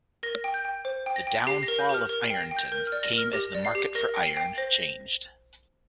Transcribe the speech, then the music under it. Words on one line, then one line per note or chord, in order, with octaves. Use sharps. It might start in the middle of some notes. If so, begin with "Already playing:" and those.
The downfall of Ironton came as the market for iron changed.
A#4 A#6
G5
G6
G5
C5
G5
A#6
G5
G4 C7
A#6
A#4
G6
G4
F6
A#4
G5 C7
A#6
G5
G6
A#4 G6
F6
D5
A#6
A#4 F6
G4 A#6
D5
C7
G4
A#4 A#6
G5
C7
G5
C5 A#6